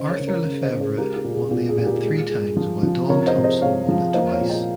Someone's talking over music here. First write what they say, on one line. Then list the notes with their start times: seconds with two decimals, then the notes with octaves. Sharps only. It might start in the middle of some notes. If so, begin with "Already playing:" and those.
Arthur Le Fevre won the event three times while Don Thomson won it twice.
Already playing: C#3 C5 D#5
0.10 A#4 C#5
0.20 C#3
0.27 A#4 C#5
0.45 C#3
0.63 C5 D#5
0.72 C#3
0.80 G#4 C5
0.98 G#3 G4 A#4
1.16 G4
1.24 A#2
1.34 G#4
1.50 A#2 G4
1.69 G#4
1.78 A#2
1.86 G4 A#4
2.03 G#3
2.29 G#3
2.57 F3
2.83 F3
3.09 C3 A#4 C#5
3.26 C5 D#5
3.36 C3
3.44 C5 D#5
3.61 C3 C#5 F5
3.88 F3
4.14 A#3 C5 D#5
4.32 C#5 F5
4.41 A#2
4.50 D#5 G5